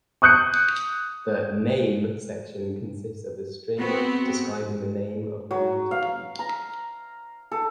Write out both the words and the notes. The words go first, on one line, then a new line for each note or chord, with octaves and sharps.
The "name" section consists of a string describing the name of the ringtone.
C#6 D#6 F#6 G6 C#7
B3 C4 F#4
F#3
F5
A#5
A4